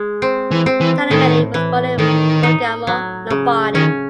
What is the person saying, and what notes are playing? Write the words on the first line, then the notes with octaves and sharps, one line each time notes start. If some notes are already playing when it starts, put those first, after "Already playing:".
Taramelli was born in Bergamo, Lombardy.
Already playing: G#3
C4
E3
C4
E3
A2 D#3
E3
A2 D#3
D#4
F#3
C#3
D#3 C#4